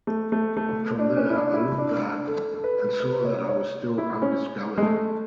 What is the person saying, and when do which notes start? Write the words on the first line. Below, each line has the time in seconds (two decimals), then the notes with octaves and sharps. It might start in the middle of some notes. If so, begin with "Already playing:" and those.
From there I looked back, and saw that I was still undiscovered.
0.07 A3
0.32 A3
0.57 A3
0.99 D4
1.17 C#4
1.30 E4
1.36 D4
1.54 E4
1.78 D4
2.02 D4
2.27 A4
2.54 A4
2.64 B4
3.00 B4
3.25 C#5
3.49 C#5
3.98 E4
4.22 C#4
4.78 G#3
4.83 A3